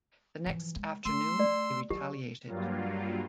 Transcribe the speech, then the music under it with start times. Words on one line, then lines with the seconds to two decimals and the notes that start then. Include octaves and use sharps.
The next afternoon they retaliated.
0.46 E3 F3
0.76 G#3
1.05 A3 C6 E6
1.40 D5
1.90 F#3 G4
2.47 G2 F#3 G3 A#3 F4